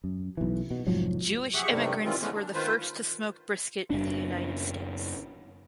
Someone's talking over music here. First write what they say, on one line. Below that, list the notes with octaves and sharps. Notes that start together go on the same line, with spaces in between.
Jewish immigrants were the first to smoke brisket in the United States.
F#2
B1 E3
B2
F1 G#2 F3 F#3
G4 G#4 E5 F#5 C#6
G2 C3 D#3 G3 A3
D#3 E3 G3 C4 F4
E3 G#3 A3 B3 C#4
D4
D#3 F4 B4 C5
F#1 D4